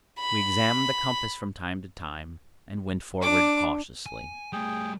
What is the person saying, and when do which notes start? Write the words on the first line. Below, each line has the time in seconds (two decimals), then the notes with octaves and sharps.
We examined the compass from time to time, and went forward cautiously.
0.20 B5
3.21 D4 D6
4.06 G#5
4.53 G3 A3 G#4 G5